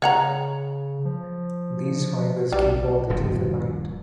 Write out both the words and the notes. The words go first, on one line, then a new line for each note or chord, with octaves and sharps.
These fibers keep all the teeth aligned.
C#3 C#5 F#5 A#5
F3
B1 G3
D#1 G2 D#3 F3